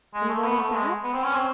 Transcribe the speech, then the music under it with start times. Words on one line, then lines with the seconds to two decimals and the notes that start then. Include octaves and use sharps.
And what is that?
0.14 G#3
0.29 A3
0.44 B3
0.59 A3
0.74 G#3
1.04 B3
1.14 C4
1.24 C#4
1.34 C4